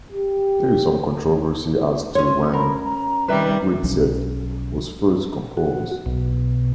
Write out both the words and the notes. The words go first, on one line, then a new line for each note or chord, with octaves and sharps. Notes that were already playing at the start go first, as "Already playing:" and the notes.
There is some controversy as to when "Widsith" was first composed.
G4
C#4 C#5 C6
A#4 B5
A#5
C3 D#3 G3 B4 E5
B1 F3 C#4
F#4
B1 B2